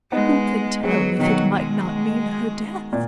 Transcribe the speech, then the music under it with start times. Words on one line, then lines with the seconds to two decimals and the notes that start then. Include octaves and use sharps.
Who can tell if it might not mean her death?
0.12 G#3 B3 D#4
0.84 F#3 G#3 B3
1.19 B2 D#3 F#3
1.55 G#3
2.93 A#2